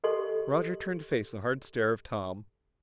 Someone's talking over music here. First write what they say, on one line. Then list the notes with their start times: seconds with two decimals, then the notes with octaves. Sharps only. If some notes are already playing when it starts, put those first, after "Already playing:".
Roger turned to face the hard stare of Tom.
0.04 G4 A4 D#5 C6